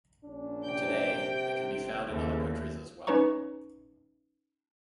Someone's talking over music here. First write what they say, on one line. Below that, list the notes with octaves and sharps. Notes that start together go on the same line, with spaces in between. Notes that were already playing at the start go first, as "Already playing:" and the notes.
Today, they can be found in other countries as well.
A#1 C#4 D4
C3 G5
A1
D#2 C#3 E3 A3
C#4 D#4 B4 C#5 A#5 C#6